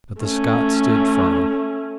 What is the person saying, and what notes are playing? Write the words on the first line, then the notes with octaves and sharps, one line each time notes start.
But the Scots stood firm.
A3 C#4